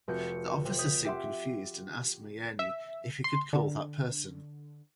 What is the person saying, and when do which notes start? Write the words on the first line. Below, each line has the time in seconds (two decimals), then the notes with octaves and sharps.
The officer seemed confused and asked Myeni if he could call that person.
0.08 F1 F#4 G6 C#7
0.65 C3
0.78 C#5 D#6 G6 B6
1.05 G4 E5 F#5 C6
2.59 E5
3.24 C6
3.53 D3